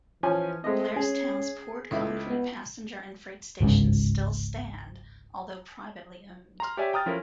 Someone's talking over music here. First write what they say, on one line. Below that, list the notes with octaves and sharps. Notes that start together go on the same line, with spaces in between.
Blairstown's poured concrete passenger and freight stations still stand, although privately owned.
E3 F3 C#4 G#5
G#3 A3 C4 D#5
C#4 G#4
C#2 E4 A4
B3
G1 C#2 G#2 C#3
A#5 C6 F6
G4 C#5 D5 E5 G#5
G5 A#5 D#6 F6 A6
F3 C#4 E4 A4 A#4